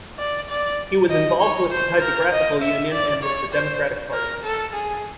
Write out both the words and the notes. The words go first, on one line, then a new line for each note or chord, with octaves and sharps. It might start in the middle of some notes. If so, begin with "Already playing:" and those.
He was involved with the Typographical Union and with the Democratic Party.
D5
D5
D#5
C#5
C5
A#4
D#5
E5
D5
C#5
C5
A#4
A4
G#4